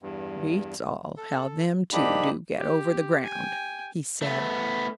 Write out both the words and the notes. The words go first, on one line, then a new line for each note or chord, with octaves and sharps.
"Beats all how them two do get over the ground," he said.
E2 G2
A4
G#2 A#3 D4 D#4 G4 B5
G4
G5 G#5
A3 B3